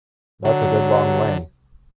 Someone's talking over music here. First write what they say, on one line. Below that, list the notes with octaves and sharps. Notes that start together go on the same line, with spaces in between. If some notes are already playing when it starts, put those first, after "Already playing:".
That’s a good long way.
D3 F#3